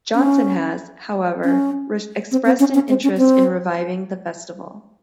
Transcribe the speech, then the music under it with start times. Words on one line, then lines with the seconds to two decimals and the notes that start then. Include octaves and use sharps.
Johnson has, however, expressed an interest in reviving the festival.
0.15 C#4
1.44 C#4
2.32 C4
2.45 C4
2.60 C#4
2.74 C#4
2.89 C4
3.03 C#4
3.17 C4